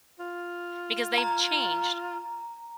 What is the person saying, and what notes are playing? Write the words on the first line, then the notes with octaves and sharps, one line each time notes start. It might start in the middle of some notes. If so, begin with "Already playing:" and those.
because they've changed
F4
A#5